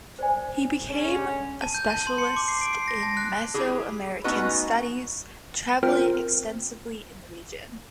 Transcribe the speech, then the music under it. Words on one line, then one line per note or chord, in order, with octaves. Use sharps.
He became a specialist in Mesoamerican studies, travelling extensively in the region.
C5 D5 G#5
D3 G#3 C#4
A5
G6
A5
C6
C#7
D6
C7
D7
C7
A#6
A5
F#6
E4 G4 G#4
A3 B3 C#4 D#4 F#4 B4
C4 F4 A#4 C5 G5 F6